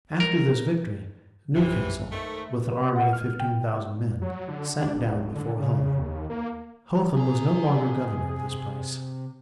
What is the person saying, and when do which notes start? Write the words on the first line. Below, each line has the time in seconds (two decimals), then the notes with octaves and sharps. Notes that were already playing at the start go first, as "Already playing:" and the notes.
After this victory, Newcastle, with an army of fifteen thousand men, sat down before Hull. Hotham was no longer governor of this place.
0.20 A#4
1.55 A#1 F#2 A2 C3 E3
2.12 G#2 D#3 A3
2.72 B4
2.96 F#5
3.13 F6
3.40 G5
3.73 B2
4.21 F#3
4.48 D3
4.80 D4
4.95 D1
5.35 D3
5.59 C#3
5.99 D#2
6.30 A#3
7.16 C3 G#4 A#5